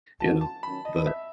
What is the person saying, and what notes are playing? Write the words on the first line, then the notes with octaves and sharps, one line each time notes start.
you know, but
E3 A3 C#4 F#4 A5
A5
D#3 F#3 C#4 B5
D#5
E5